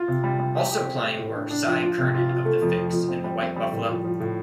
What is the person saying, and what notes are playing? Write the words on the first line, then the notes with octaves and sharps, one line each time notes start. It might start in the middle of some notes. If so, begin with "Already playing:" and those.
Also playing were Cy Curnin of The Fixx, and The White Buffalo.
Already playing: F4
C3
G3
G3
G4
G4
C4
G4
A2
D4
D4
F3
F4
C3
F4
F4
A3
F2
F3
F2
C4
G3
C4
G3
A2
F3
F3
A2